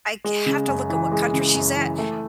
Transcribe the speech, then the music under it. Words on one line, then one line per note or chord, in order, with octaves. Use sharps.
I c have to look at what country she's at.
G#3
C#3
F#2
E3
G#3
C#3
F#2
E3
A3